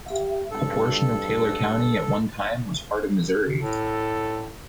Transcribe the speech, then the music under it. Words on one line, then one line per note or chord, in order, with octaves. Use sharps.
A portion of Taylor County at one time was part of Missouri.
G4
G2 A4
A2 A4